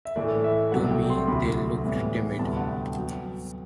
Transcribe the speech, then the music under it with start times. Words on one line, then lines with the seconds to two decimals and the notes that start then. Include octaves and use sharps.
To me, they looked timid.
0.05 E5
0.16 A2 E3 A3 D5
0.44 E5
0.71 C2 C3 F#3 A3 F#5
0.91 G5
1.10 C6
1.28 D2 C3 F#3 B5
1.84 A2 E3 G3 B3
2.39 D2 C3 G3 B3 A5
2.57 F#5
2.67 G5
2.96 F#3 B3